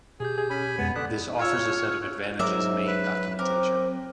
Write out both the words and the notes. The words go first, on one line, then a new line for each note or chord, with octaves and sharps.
This offers a set of advantages main documentation.
B2 G4 G#4 G6
G#4
C#4 G#5 B5
F2 B2 G#3 B3
D3 D4 D#6 F#6 B6
F4 C#5 E6 F6
G#2 F#3 A#4 E5 D6
B4
C4 A#4 D6